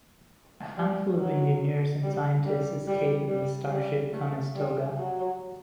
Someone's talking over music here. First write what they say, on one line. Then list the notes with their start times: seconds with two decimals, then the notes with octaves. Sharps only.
A handful of engineers and scientists escape in the starship "Conestoga".
0.77 G3
1.20 F#3
2.03 G3
2.45 G3
2.87 G3
3.29 G3
3.71 G3
4.13 A3
4.56 G3
4.97 F#3